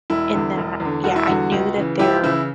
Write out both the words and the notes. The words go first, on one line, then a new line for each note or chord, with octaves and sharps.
in that Yeah, I knew that there
E1 E4
E2 D3
E1
E2
D3
E1 F#4
E4
E2 D3 F#4
C#2
C#3 E3
C#2 E4 G4
C#3 E3 E4